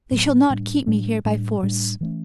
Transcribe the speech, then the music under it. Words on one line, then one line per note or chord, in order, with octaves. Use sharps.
They shall not keep me here by force.
A2 F#3 B3
A2 G3 D4
A2 G3 D4
A2 G3 D4
A2 G3 D4
E3 A3 C#4